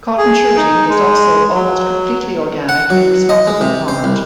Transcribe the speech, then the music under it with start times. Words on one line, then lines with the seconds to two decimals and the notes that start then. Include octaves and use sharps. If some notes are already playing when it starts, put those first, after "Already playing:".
Cotton shirting is also almost completely organic and responsibly farmed.
0.18 G#4
0.57 D#4
0.89 G#3
1.54 F#3
2.69 F#5
2.90 F#3
3.29 D#5
3.47 G#3
3.61 C3
3.88 C5
4.04 C2